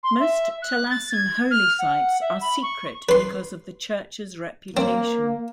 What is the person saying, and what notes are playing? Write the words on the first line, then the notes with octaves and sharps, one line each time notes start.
Most Talassan holy sites are secret because of the church's reputation.
C6
E5
F#6
A6
G#6
F6
F#5
E5
B5
C#6
B4 C6
A#3 C4